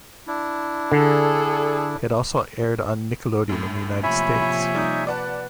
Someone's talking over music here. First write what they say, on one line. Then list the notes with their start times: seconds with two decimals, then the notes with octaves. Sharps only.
It also aired on Nickelodeon in the United States.
0.27 D4 E4
0.92 D3 G#4 A4
3.49 F#2 A2
4.03 C3 F3 A#3 C#5 E5 G#5 B5
4.75 G3 D#4 D6
5.07 B4 D5 F#5 A5